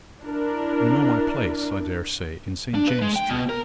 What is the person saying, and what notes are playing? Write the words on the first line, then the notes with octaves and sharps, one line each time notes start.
You know my place, I dare say, in St. James Street.
D4 E4 A#4
D4
B4
G#3
G5
B2
A#4